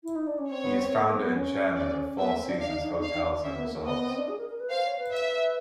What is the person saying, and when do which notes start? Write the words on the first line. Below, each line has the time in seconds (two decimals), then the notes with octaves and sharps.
He is founder and chairman of Four Seasons Hotels and Resorts.
0.04 E4
0.16 D#4
0.27 D4
0.38 C#4
0.50 C4 C#5
0.64 B3
0.78 C4
0.92 A#3
1.06 A#3
1.14 C4
1.20 B3
1.34 C#4
1.76 D5
2.18 B3 E5
2.28 A#3
2.39 C4
2.49 D4
2.60 D4 F5
2.68 D#4
2.76 D4
2.84 D#4
2.92 D4
2.99 D#4 F5
3.08 D4
3.15 D#4
3.23 D4
3.44 C#4 E5
3.55 B3
3.64 A#3
3.76 A#3
3.86 B3 D#5
3.97 B3
4.07 C4
4.18 D4
4.28 G#4
4.38 A#4
4.49 A#4
4.60 B4
4.70 C5 F5
4.84 C#5
4.98 B4
5.12 E5